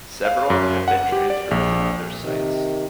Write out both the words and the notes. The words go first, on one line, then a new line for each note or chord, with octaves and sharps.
Several have been transferred from other sites.
F5
F#2
F#5
G4
D5
A#1
C3 D#3